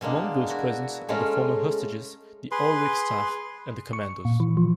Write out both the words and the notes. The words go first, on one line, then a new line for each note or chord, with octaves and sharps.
Among those present are the former hostages, the oil rig staff and the commandos.
B2 G#3 A#3 D4
E4 F#4
G#3 A3 C#4 F4 A#4 F5
G#4 B4 C6
C#6
A#2
E3
F3